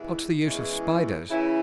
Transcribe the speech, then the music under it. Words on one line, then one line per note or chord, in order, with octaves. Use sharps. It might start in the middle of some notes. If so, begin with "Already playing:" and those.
What's the use of spiders?
Already playing: E2 B2 G#3 E4
E2 E3 G#3 C#4 E4
C#3 E3 C#4 E4